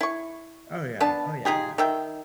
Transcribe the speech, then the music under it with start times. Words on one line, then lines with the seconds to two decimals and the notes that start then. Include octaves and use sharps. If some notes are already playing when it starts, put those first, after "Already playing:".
Oh, yeah. Oh, yeah, yeah.
0.01 E4 C#6
1.00 B3 D4 A5
1.45 D#4 F4 G4 G#4
1.78 D#3 E5 G5